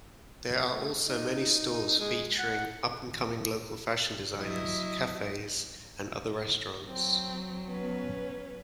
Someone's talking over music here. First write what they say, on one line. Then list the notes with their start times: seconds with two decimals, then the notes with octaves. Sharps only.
There are also many stores featuring up-and-coming local fashion designers, cafes and other restaurants.
0.70 A3
1.07 D#4
1.99 G#3
2.39 F#5
4.35 F#3 E4 D#5
6.86 F#3 C4
7.68 B3 C#4 B4